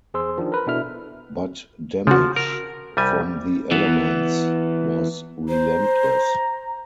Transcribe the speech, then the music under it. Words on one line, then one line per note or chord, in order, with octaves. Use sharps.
But damage from the elements was relentless.
E2 G#4 C5 C6 E6
D#3 F3 D4
A#4 B4
B2 D4 E4 A4 E5 F6
C#3 F3 F#4
A#4
C2 G3 G#5
E3 B3
C5 A#5